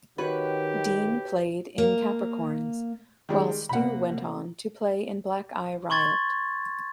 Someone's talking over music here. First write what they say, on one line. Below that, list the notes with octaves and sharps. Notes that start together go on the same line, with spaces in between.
Dean played in Capricorns, while Stu went on to play in Black Eye Riot.
D#3 F#4 G4 B4 C#5
A#3
D#3 G3 G#3
C3 A#3 F#5 B5
C6 C#6 G#6 A6